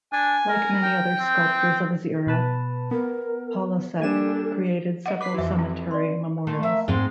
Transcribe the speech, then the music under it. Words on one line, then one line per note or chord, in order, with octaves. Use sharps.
Like many other sculptors of his era, Polasek created several cemetery memorials.
D4 G#5
A#4
G5
C4
B2 B4 A5
B3 A#4
G3 A#3 D4 A4 G#5 E7
D#5 F#5
B4 D6 B6 C7
F2 E3 F#4 E5
C4
D5 C6
A3 A#3 F4
A#3 E5
G#2 G#3 C4